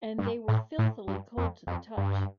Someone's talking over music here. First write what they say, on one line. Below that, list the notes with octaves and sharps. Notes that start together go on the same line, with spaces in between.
And they were filthily cold to the touch.
G2
A2
A2
G2
F2
F2
G2